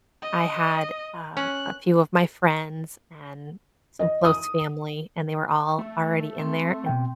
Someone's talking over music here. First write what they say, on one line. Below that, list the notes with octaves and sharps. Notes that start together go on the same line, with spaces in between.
I had, um, a few of my friends and some close family, and they were all already in there, and
D#5
C#4 F#6
D#5
D#6
A3
C4 C6
B2 G5